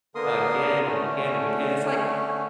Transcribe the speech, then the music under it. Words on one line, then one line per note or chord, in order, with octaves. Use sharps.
Again and again and again. It's, like,
D3 A#3 B3 A#4 C6 D#6
D3 A3 C#4